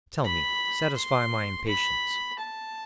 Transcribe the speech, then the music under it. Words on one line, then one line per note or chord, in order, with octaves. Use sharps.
"Tell me; satisfy my impatience."
B5
C6
B5
A5